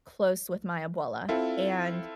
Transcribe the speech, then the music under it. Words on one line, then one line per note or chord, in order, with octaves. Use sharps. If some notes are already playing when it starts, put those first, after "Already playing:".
close with my abuela, and,
C4 E4 F4 A4